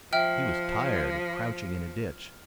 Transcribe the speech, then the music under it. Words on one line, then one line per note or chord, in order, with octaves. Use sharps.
He was tired of crouching in a ditch.
F3 E5 G5 F6